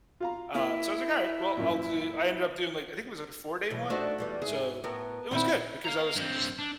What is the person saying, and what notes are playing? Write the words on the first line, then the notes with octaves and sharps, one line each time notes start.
Uh, so I was like, "Alright, well, I'll do" I ended up doing, like, think it was, like, a four-day one. So, eh, it was good because I was just
F4 F5 A#5
A#3 E4
F#2 A#2
B2 E3 F#3
A3 D4 D#4 F#4 C5
E2 G3 B3
G#2 G#4 E5
A2 B3 F#4 A#4
A#2 D#3 B3 C4 E4
F5 A#5
G2 C4
D4